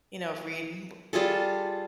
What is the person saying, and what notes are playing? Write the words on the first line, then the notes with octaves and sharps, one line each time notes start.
you know, read w
G3 F4 G#4 A4